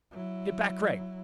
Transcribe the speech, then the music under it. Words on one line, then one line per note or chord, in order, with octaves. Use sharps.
Get back, Gregg!
F#3 E4